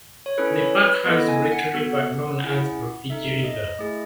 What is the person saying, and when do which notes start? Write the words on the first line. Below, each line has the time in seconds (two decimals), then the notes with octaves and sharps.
The park has great river known as Rufiji river.
0.26 C#5
0.38 C#4 E4 A4 B4
0.60 C#5
0.83 B4
1.05 B3 E4 A4 D#5
1.28 G#5
1.52 F#5
1.74 B3 F#4 A4
2.42 C#4 E4 G#4
3.10 D#4 A4 E5
3.44 D#5
3.79 A3 E4 G#4